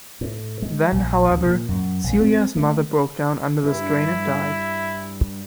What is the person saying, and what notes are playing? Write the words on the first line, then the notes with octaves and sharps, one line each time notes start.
Then, however, Celia's mother broke down under the strain and died.
A2
G#3
A#1
D2
A#2
F#2
A#1
C4
A3
G2 E4